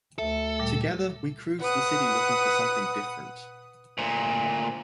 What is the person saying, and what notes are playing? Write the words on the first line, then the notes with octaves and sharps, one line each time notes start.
Together, we cruised the city looking for something different.
D2 A4 E5
A#2 G3
B4 F#5 D#6
D2 A#2